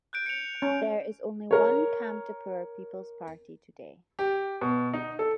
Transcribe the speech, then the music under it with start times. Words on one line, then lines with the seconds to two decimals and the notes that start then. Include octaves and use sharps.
There is only one Kamtapur People's Party today.
0.13 F#6 G6 D7
0.26 C#7 F7
0.62 C#4
1.51 A#4 C#5
4.19 G4
4.61 B2
4.94 D#4
5.19 A4